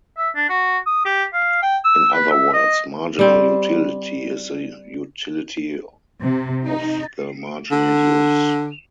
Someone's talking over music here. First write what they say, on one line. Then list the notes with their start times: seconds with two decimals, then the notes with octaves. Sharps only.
In other words, marginal utility is the utility of the marginal use.
0.17 E5
0.35 D4
0.49 F#4
0.86 D#6
1.05 G4
1.33 F5
1.62 G5
1.84 E6
2.13 B4
2.31 E5
2.53 D#5
3.19 G3 C4
6.22 C3
6.65 D#4
7.71 D3